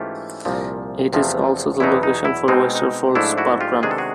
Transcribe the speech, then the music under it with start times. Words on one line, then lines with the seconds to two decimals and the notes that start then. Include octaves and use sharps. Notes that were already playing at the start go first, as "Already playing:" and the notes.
It is also the location for Westerfolds parkrun.
Already playing: G#2 E3 A3 C#4 F4 G4
0.45 C2 A#2 F3
1.13 E2 C3 F3 A3
1.80 E2 B2 F#3 B3 D#4 E4
2.03 D#4
2.25 E4
2.48 B2 G#3 C4 D#4
2.75 D#4
3.15 G#2 F3 A3 D4 E4
3.38 E4 F#4
3.61 F4 G4
3.83 C3 D#3 G#3 B3 D4 G#4
3.91 A4
3.98 F#4 G#4